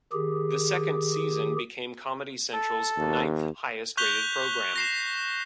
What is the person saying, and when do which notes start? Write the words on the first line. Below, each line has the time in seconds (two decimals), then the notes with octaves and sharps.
The second season became Comedy Central's ninth highest rated program.
0.12 D#3 G4 G#4
2.53 A4
2.97 D#2
3.97 C#6 F#6 G6 B6 F7 G7
4.76 A#6 C7 E7